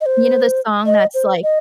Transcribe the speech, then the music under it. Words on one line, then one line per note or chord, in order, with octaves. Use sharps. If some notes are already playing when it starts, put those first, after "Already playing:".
you know the song that's, like
D#5
C5
D#5
C5
D#5